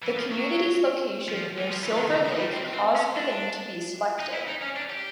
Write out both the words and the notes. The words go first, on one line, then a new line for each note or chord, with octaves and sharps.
The community's location near Silver Lake caused the name to be selected.
E3
F3
F#3
F3
E3
F3
E3
D#3
D3
E3
G3
C4
C4
C#4
D4
D#4
E4
D#4
C#4
D4
G4